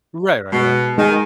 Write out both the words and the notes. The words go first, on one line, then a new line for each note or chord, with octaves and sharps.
Right, right, right.
B2 G#3
D#3 G#3 D#4 G#4